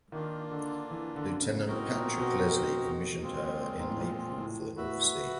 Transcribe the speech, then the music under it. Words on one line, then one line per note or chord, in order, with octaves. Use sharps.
Lieutenant Patrick Leslie commissioned her in April for the North Sea.
D#3 A#3 D4 F4
D3
E3
D3
C#3
A2 C4 D#4 F#4 A#4 D#5
A#2
B2
G#3 C4 F4
G#2
A2
A#2
A2
A2 F#4 B4 E5